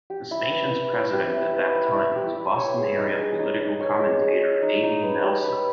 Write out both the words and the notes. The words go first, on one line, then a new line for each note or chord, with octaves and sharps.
The station's president at that time was Boston-area political commentator Avi Nelson.
G4
E4
B4
E4
E4
G4
E4
B4
E4
E4
G4
E4
C#5
G#4
D#4
G#4
D#4
D#4
C#5
G#4
G#4
C#5
D#4
D#4
B4
G4
B4